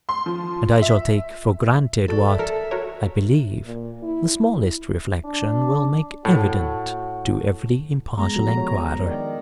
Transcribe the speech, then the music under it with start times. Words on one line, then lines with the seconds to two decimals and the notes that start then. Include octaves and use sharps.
And I shall take for granted what, I believe, the smallest reflection will make evident to every impartial enquirer.
0.09 C6
0.26 F3
0.82 E5
2.08 F#4 A4 D5
2.25 E5
2.39 A4 A#4
2.71 F#4 A#4 C#5
3.66 A#2
4.03 E4
5.25 D4
6.25 A2 F#4
8.18 G#3 B3 A#5
8.36 F3 F#4 A4
8.57 C#5
9.03 D#3 A#4 D5